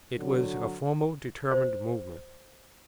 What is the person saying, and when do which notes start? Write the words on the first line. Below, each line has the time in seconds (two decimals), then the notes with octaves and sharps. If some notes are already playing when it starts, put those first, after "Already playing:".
It was a formal, determinate movement.
0.19 D3 F#3
1.52 C5